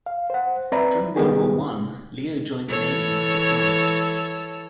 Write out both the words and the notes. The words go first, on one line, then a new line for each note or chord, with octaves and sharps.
During World War One, Leo joined the Navy for six months.
F5
C5 F#5
C4 B4 D5 E5 A#5 B5
D#3 G3 B3 G4 G#4
E3 A4 C#5